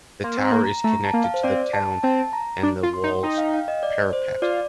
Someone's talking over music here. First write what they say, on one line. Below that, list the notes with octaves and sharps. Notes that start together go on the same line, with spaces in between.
The tower is connected to the town and the wall’s parapet.
A#3 C6
C4
A#5
A#3
A#5
A3 A#5
A5
A#3
F5
C5
C4 D5
A5
C4 A5
A#5
D4
F4
C6
D#4
D#4 G5
F5
G5
F5
D#5
D5
C5
F4 D5